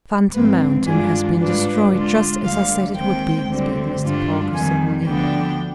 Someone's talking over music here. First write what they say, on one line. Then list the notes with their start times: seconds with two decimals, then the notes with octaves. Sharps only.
"Phantom Mountain has been destroyed, just as I said it would be," spoke Mr. Parker, solemnly.
0.34 G#2 F3 G#3 C4 B4
0.87 G2 D#3 G#3 D4 F4 G#4
1.39 G#2 G3 D4 F4 B4
1.92 D3 G#3 D4 F4
2.44 D2 D3 G3 F5
2.97 D#2 D#3 G#3 C4 G5
3.49 D2 D3 G3 C4
4.03 G2 D3 G3 D4 F4
4.54 F2 D#3 G3 G#5
5.07 D2 D3 F3 B3 D4 G5